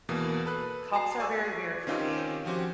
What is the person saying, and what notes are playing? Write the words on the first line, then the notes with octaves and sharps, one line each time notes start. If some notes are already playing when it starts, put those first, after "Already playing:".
Cups are very weird for me
E2 B2 E3 A#3 D#6
A4 B4 F#6
F#4 A5 A#5 C7
D5 G#5 C#6 E6
D#3 C4 C#4 D#4 F4 G4
F3 C#4 F#4 G4 C5